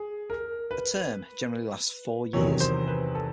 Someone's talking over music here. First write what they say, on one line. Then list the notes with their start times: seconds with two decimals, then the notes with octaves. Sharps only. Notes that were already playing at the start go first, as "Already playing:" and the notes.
A term generally lasts four years.
Already playing: G#4
0.30 A#4
0.71 B4
2.33 E2 C3 D#3 F#3 C#5
2.60 C5
2.88 B4
3.15 A4